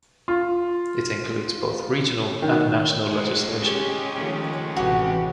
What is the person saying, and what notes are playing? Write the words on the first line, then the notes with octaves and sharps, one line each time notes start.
It includes both regional and national legislation.
F4
D#3
C#3 G#3
C#4 G4
D#3 F3 A3
A1 C3 E3 F#4 G4